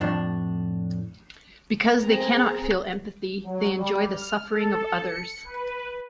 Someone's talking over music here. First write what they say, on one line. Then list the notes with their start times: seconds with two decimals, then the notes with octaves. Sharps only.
Because they cannot feel empathy they enjoy the suffering of others.
0.01 F2 A2 D4
2.01 C4 G#4 A#5
3.44 F#3
3.76 G3
4.13 F6
4.50 A4
5.01 C#7
5.44 B4